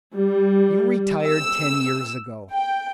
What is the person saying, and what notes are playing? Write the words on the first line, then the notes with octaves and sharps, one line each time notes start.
You retired ten years ago.
G3
E6
G5